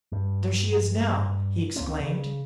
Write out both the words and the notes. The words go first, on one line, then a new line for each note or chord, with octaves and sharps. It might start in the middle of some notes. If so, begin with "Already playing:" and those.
"There she is now!" he exclaimed.
G2
C#2 A#3 C4 C#4
C#3